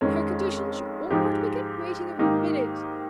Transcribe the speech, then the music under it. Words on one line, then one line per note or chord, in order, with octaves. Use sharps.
In her condition she ought not to be kept waiting a minute.
F2 D#3 G#3 C#4
G#2 F3 G#3 D#4 G4
G#2 D#3 A#3 D#4 G4